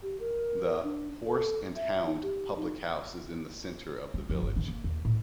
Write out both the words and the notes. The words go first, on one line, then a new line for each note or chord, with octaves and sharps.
The "Horse and Hound" public house is in the centre of the village.
G4
A#4
D4
A4
E5
D#4
G4
D#4
G3
F2
G1
D#3
A#3
D#2
A2